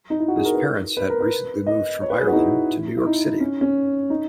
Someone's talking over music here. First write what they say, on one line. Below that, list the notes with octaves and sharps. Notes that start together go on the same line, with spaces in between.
His parents had recently moved from Ireland to New York City.
D#4
E4
F#4
G#4
A#4
B4
B4
A#4
B4
D#5
C#5
B4
G#4
F#4
D#4
E4
E4
D#4
C#4
C#4
D#4